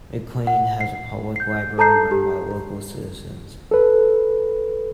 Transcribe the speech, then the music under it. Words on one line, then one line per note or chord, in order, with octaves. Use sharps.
McLain has a public library run by local citizens.
F#5
C7
G6 C7
A4 A5 A#5 G6 C7
G4
A4 B4